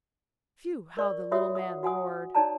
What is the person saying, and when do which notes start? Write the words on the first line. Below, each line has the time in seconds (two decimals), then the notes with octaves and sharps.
Phew! how the little man roared.
0.97 A#4 D5 C#6
1.31 F4 F#4 C#5 E5 D#6
1.55 F#5 D#6
1.83 F#4 F#5 G#5 D#6
2.35 D#4 C#5 D5 A5 A#5